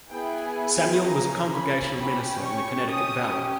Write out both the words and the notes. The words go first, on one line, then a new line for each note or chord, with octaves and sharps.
Samuel was a Congregational minister in the Connecticut Valley.
B3 E4 G#4 G5
G#5
G#5
A#3 C#4 G#4 A#5
B5
C#4 G4 B5
C#6
C#4 G4 D#6